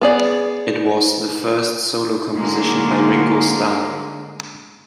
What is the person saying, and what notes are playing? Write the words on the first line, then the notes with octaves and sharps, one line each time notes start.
It was the first solo composition by Ringo Starr.
B3 G#4 D5
D3 F#3 G#3 A#3